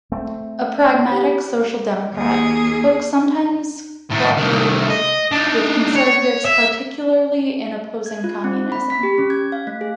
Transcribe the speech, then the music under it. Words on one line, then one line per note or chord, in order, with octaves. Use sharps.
A pragmatic social democrat, Hook sometimes cooperated with conservatives, particularly in opposing communism.
A3 C4
C#5
G4
D#2 G#4
A2 D#3
C2 D#3
D#5
D4 D#4
C#5
E5
G#6
F4
C4
B5
B6
G4
C#4
G#6
F5
A3
G#4